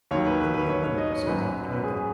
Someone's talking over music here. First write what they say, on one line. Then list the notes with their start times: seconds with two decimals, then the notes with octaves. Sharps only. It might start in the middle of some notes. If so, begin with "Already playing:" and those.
Indian women sort out clothing.
0.11 D#2 D#3 F#3 C#5
0.26 B4
0.40 B4
0.54 B4
0.70 C#5
0.84 C#5
0.98 D#5
1.13 C#5
1.23 C#5
1.27 G#1 F#2 F#3 B4
1.72 B4
1.83 G#4
1.95 G#4